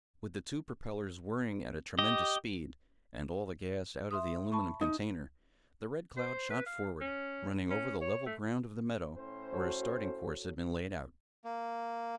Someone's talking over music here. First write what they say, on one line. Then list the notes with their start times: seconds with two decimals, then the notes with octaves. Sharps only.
With the two propellers whirring at a tremendous speed, and all the gas out of the aluminum container, the Red Cloud shot forward, running over the level ground of the meadow, where a starting course had been laid out.
1.99 G4 D#5
4.11 E5 C6 D#6
4.52 A5 B5 C#6
4.81 D#4
6.17 C5
6.50 B4
6.66 F5
7.01 C#4
7.70 C#4
8.01 C#5
8.26 A3
9.16 A2 C#4 C5
9.53 F#4 A4 C#5
11.45 A#3